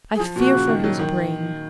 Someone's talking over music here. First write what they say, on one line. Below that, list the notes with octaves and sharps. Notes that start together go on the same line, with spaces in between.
I fear for his brain.
G#4
F3
A#2 F#4
C#3
D#3
F#3
D#3